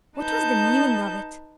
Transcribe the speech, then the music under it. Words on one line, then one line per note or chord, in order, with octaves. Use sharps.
What was the meaning of it?
D#4 B4 A5 G6